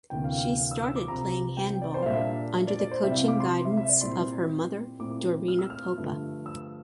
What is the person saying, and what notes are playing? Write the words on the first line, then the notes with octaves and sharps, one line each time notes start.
She started playing handball under the coaching guidance of her mother Dorina Popa.
D2 C3 E3 A#3 D4 G5
F5
G5
F5
E6
E6
D6
C2 C3 F3 C4 A#5
G5
D5
C5
F5
A#2 G3 D4 E5
D5
D5
C5
C3 G3 C4 E4 E5
F5
D6
C6
E5
E5
D5
A#2 G3 C4 E4 C6
A#2 A3 C4 E4 D6
F6
E6
F6
G2 D3 F3 A3
E6